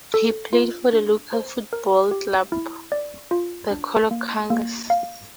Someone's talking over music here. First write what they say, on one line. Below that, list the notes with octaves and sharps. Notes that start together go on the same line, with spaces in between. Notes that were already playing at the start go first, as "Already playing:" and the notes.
He played for the local football club the Colo Cougars.
A4
F4
D4
C5
A#4
G4
E4
D5
F4
D4
A#3
A#3
F5